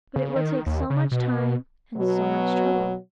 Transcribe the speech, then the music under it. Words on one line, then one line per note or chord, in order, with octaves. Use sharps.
But it will take so much time and so much trouble.
C#3
D#3
D#2
C#3
B2
B2 F#3